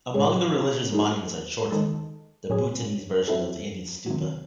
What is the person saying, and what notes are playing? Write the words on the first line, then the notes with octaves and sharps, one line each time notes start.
Among the religious monuments are chorten, the Bhutanese version of the Indian stupa.
A2 G#3 C#4 G#4
F#3 A3 D#4 G#4
D#3 G#3 D#4 A4
A2 F#3 C#4 G#4
F#3 C4 E4 A4
C3 D#3 F#3